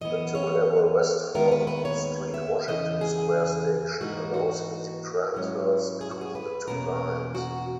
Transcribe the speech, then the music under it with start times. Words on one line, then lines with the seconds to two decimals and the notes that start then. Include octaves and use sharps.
The two-level West Fourth Street-Washington Square station allows easy transfers between the two lines.
0.01 F#2 E3 B3 D#5
0.35 C#5
1.35 D#2 D#3 G#3 B3 A#4
1.52 B4
1.67 B4
1.85 C#5
2.34 E5
2.68 E2 C#3 E3 D#5
3.01 G#4
4.01 G#2 E3 A#3 D#4 F#4
4.34 F#4
5.34 G#2 F#3 C#4 E4
6.01 G#4
6.11 F#4
6.21 G#4
6.35 B4
6.68 E2 B2 A#3 C#4 A#4
7.35 F#4